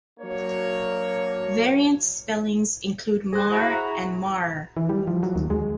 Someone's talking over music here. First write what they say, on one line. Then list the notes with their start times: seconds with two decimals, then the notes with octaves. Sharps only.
Variant spellings include Mar and Marre.
0.20 F#3 A#3 D4 C#5
3.33 G#4 C5 F#6 A#6
3.51 E4 F#4 A#6
3.70 A#5
4.77 E3
4.89 G3
5.08 F3
5.23 F#3
5.36 D#2
5.50 G#3